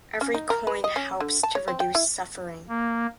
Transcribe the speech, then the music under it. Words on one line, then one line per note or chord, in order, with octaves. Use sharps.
Every coin helps to reduce suffering.
C#4
D#4
A#4
B4
D#5
C#4
D3
A5
C#5
C4
G5
E4
A#3